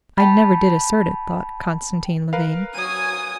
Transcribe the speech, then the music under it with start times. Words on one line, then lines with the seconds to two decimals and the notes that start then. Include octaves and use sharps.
"I never did assert it," thought Konstantin Levin.
0.18 G5 A5 B5
2.33 A#4 B4 F5
2.75 F#3 G#5 D#6